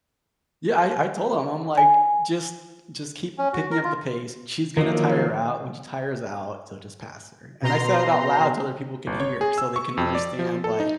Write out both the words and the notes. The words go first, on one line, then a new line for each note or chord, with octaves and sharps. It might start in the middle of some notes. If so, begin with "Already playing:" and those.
Yeah, I I told him, I'm like, "Just just keep picking up the pace. She's gonna tire out. When she tires out, so, just pass her." And I said it out loud so other people can hear, so they can understand, like,
G#5
C#4
F#4
A#4
F4
D#3 F3 F#3 A#3
B2 A#5 C6
G1
C#5
G#4
E6
C#6
F2
D5
F3
A4
D#4